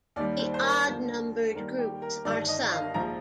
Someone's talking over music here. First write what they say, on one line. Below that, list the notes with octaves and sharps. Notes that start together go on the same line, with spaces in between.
The odd numbered groups are summed.
D#2 D#3 G3 D5
C5
C5
A#4
D#2 D3 F3
D#2 D#3 G3 A#4
G4
A#4
G1 G2 D#3 D5
D#5
F5
A#1 G#2 F3 A#5